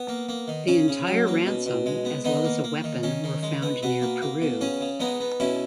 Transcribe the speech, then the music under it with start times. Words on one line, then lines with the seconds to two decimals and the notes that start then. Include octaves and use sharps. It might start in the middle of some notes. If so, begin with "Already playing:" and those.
The entire ransom as well as a weapon were found near Peru.
Already playing: B3
0.08 A#3
0.29 A#3
0.48 D#3
0.68 C#3 C#4
0.88 C#3
1.07 F#3
1.27 A#3
1.47 B2
1.66 B2
1.86 G#3
2.05 B3
2.25 D#3 B3 D#4
2.44 A#3
2.64 A#3
2.84 D#3
3.03 D#3 C#4
3.24 D#3
3.43 G#3
3.62 B3
3.83 B2 B3
4.02 A#3
4.22 A#3
4.42 B2
4.61 C#3 C#4
4.81 C#3
5.00 G#3 B3 D#4
5.20 B3
5.40 B2 C#4 E4